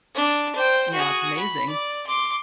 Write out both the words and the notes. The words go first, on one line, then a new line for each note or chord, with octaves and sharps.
Yeah. It's amazing.
D4
C5 G5
F#4 G#4
B5
D5
C6 D6